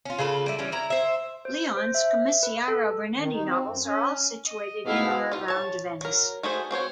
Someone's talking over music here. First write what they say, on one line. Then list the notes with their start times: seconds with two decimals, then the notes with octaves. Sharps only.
Leon's Commissario Brunetti novels are all situated in or around Venice.
0.05 C#4 F4
0.18 C#3 F4 A4 B4
0.46 G3 E4
0.59 E3 G3 C#4
0.72 E4 A#5
0.90 C5 E5
1.45 C5
1.77 C5
1.95 E5
2.43 B4
2.68 A4
3.17 D#3
3.31 D#4
3.45 C4
3.66 F#2
3.83 C#4
4.45 D#5
4.86 G#2 B2 E4 F5
5.31 D#4 F4
5.48 C#5 A5
6.01 F#3 A#4
6.43 A3 F#4 G#4 C5 G#5
6.71 C4 F#4 C5 C#5